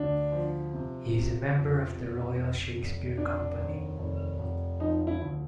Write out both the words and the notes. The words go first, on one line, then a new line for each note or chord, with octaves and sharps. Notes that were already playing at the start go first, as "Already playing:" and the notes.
He is a member of the Royal Shakespeare Company.
Already playing: D2 D4
F3
C3
C3
F2
F1
F1
F1
F1 D4
D#2
F1
F1
F3 D#4
E4
D2